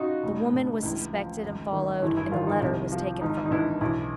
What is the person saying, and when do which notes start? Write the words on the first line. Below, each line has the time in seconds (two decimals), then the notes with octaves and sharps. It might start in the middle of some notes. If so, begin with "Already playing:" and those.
The woman was suspected and followed, and the letter was taken from her.
Already playing: C#3 D#4 F4 F#4
0.24 F1
0.53 D3
0.83 C#2 E3 E4
1.13 F3
1.43 G#1
1.73 D#3
2.02 G1 E3 E4
2.17 E3 E4
2.32 D#3 F3 F4
2.47 D#4
2.61 C2
2.92 F3
3.21 G#1 D#4
3.46 D#4
3.51 D3 E3 E4
3.81 B1 E3 E4